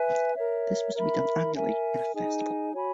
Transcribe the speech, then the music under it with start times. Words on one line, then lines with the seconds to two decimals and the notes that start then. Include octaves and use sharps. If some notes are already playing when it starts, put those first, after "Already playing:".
This was to be done annually in a festival.
Already playing: B4 E5 G#5
0.35 A#4 C#5 E5
0.94 A#4 E5 B5
1.54 A#4 E5 G#5
2.13 D#4 G#4 D#5 G#5
2.73 F#4 C#5 G#5 B5